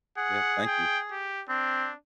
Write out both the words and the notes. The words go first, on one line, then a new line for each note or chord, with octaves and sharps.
Yeah, thank you.
G#4 F#5
G5
G4
C4 D4